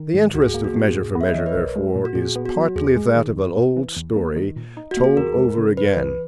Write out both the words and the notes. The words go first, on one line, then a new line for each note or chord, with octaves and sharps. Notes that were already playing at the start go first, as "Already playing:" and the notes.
The interest of Measure for Measure, therefore, is partly that of an old story told over again.
Already playing: D#3
G#2
C#2 F#4
G#4
F#4
A#3
F#4
B2
G#4
G#2
B3
E5
D#5
E3 C#5
B4
B1 A#4
G#3
A#2
F#4
A#2 G#4
B3
F#4
F#3
E2 G#4
G#3
D#3
F#2
B3
E3
E2
A#3
D#3
A#2
D#4
F#4
A#3
G#4
E2 A#4
G#3
C#3
F#2 B4
E3